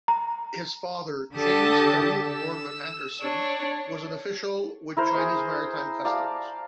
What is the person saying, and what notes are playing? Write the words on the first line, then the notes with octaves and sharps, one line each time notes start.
His father, James Carew O'Gorman Anderson, was an official with Chinese Maritime Customs.
A#5
D3 G4 A4 A5 D#6
E6
D4 C#5
E4 A#4 C5
G#4 C5
D5 F5 A5 A#5